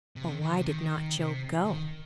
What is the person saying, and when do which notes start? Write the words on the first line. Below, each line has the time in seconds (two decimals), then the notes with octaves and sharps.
Or why did not Job go?
0.16 C3
0.28 D#3
0.41 D#3
0.53 C3
0.66 D#3
1.16 C3
1.65 D#3